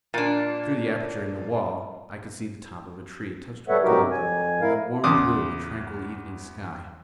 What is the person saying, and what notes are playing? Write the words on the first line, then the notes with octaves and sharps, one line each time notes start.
Through the aperture in the wall I could see the top of a tree touched with gold and the warm blue of a tranquil evening sky.
A#2 D4
G3 A4 B4 C#5 E5 F#5
C3 F#3 D#4 F#4 G4 A#4
F2 G#5
E4 A#4 F5
E2 C#3 C6 D6 D#6